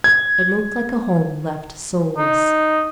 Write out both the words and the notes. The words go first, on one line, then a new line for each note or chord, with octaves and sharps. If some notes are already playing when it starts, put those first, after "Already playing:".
It looked like a home left soulless.
G#6
D#4